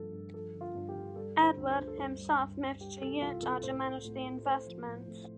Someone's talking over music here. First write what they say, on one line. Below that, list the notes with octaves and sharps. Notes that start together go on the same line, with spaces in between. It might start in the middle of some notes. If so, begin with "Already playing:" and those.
Edward himself moved to Utah to manage the investments.
Already playing: G2 F3 A3 A4
G2
F3 A4
D3
F4
G2
G4
G2
G3 A4
D3
C5
D2
C5
D2
A4
G2 C5
G3
G2
G3
G3 G4
C3 A4
C2 F4
C2 A4
A2 C5
A3
A2
A3
A3 C5
F3
A2
A2